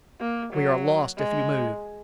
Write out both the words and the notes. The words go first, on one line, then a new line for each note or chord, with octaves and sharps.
We are lost if you move.
A#3
F#3
G#3